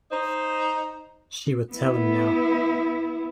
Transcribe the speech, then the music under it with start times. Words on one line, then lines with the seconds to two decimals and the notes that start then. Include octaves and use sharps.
She would tell him now.
0.11 D#4 C5
1.73 B3 E4